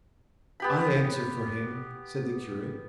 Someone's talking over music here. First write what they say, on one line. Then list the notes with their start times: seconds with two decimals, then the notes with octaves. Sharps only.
"I answer for him," said the curate.
0.60 B3 G4 B5